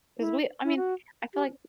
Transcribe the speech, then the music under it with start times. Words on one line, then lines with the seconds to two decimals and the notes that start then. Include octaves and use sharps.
'Cause we I mean I feel, like,
0.19 E4
0.64 E4
0.77 F#4
1.34 G4